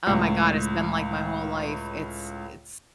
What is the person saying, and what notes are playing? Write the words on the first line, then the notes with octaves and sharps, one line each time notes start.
Oh my god, it's been, like, my whole life, it's it's
C#2 A2